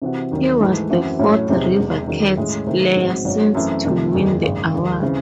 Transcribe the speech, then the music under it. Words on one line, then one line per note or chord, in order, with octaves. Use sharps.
He was the fourth River Cats player since to win the award.
C3 E3 C4 F#4
D#2 D#3 F#3 C#4
G#2 E3 A3
F#2 E3 C4 F#4
A2 F#3 A3 C#4 E4
E2 C3 F#3 C4 D#4
E1 E2 C3
E2 D#3 F#3 C#4
A2 G#3 C#4
C3 D#3 A3 C4
A1 G#2 F#3 C4 F#4
G#1 G#2 F#3 C#4 F#4
F#2 E3 A3 C4
C2 C3 D#3 A3
F#1 E2 D#3
G#1 F#2 C#3
E1 D#2 D#3
C#3 E3 C4